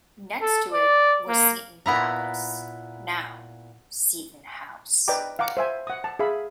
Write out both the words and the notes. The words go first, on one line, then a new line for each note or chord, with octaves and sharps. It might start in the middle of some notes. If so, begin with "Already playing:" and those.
Next to it was Seton Palace, now Seton House.
A4
D5
A#3
A#2 B3 E4 A#5
B4 D5 D#5 G5 A#5 D6
F5 F#5 A#5 D6
C5 E5 G#5
F#5 D#6
A5
G#4 E5 F5 B5